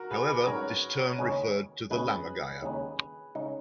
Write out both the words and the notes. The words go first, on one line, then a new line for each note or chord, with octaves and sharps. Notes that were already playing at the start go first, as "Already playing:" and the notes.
However, this term referred to the Lammergeier.
Already playing: F#4 A#4
G#4 B4
G#4 B4
G#2 F#3 C#4 A#4 C#5
D#2 C#3 G#3 C#4
D#2 C#3 G#3 C#4 G#4 B4
D#2 C#3 G#3 D#4
C#3 G#3 D#4